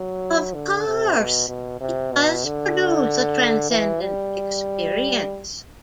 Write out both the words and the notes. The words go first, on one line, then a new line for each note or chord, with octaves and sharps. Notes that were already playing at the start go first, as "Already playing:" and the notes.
Of course, it does produce a transcendent experience.
Already playing: F#3
D3
C3
B2
B2
C3
B2
D3
E3
G3